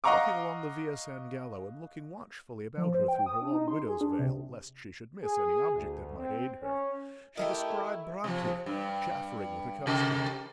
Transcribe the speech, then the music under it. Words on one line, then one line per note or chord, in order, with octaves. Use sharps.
Walking along the Via San Gallo, and looking watchfully about her through her long widow's veil, lest she should miss any object that might aid her, she descried Bratti chaffering with a customer.
D#5 F5 F#5 A#5 C#6 D6
F3
C5
G5
D#6
D4
D#4
C6
G#4
D4
C3
G#4
D2
C4
C#4
D#3 A3 E4 G4
C3 F3
G2
C3 G4 A#4